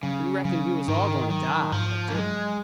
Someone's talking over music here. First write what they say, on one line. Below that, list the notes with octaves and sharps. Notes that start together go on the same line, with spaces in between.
We reckoned we was all going to die, but didn't.
C#3 F#3
C#3 F#3
G#2 D#3
D#3 F#3
G#2 F3
A#3
F#3 G#3